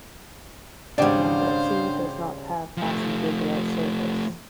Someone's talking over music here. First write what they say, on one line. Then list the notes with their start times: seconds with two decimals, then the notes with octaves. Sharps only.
Monbetsu does not have passenger rail service.
0.98 G#1 C#3 G3 D4 G4 C5 D5 F5
2.77 F3 A3